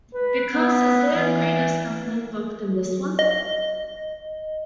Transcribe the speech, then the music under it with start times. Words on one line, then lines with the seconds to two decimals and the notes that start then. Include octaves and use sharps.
Because, is there a greater stumbling-block than this one?
0.14 B4
0.53 B3
1.16 E3
3.19 D#5